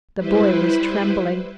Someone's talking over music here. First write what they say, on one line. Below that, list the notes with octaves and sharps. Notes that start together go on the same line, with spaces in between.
The boy was trembling.
G3 E4 B4 C5